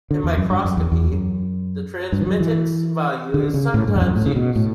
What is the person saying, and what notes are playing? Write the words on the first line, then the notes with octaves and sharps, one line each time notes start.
In microscopy, the transmittance value is sometimes used.
D3
E2
F#2
G2
F#2
E2
E2
F#2
G2
E3
F#3
E3
D3
C#3
A2
G2
E2
F#2
A2
C#3
B2
A2